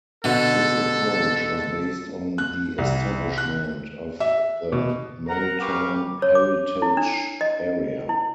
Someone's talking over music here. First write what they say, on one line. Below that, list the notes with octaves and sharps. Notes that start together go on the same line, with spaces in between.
This approach was based on the establishment of the Maritime Heritage Area.
B2 D3 A4
F#6
C2
F#6
E5
B2
A#4 F#5 A#5
G4 A#4 B4 F5 C#6 D6
C#5
D6
E4
D4
D#5
E4